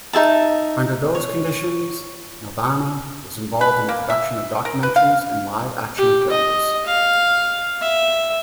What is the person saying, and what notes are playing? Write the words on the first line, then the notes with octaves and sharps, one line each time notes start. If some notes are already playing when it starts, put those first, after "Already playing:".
Under those conditions, Nelvana was involved in the production of documentaries and live-action films.
D#4 G#4 E5 A5
C#5
B4
A#3
E5
A#4
B4
F5
G4
D#5
F5
E5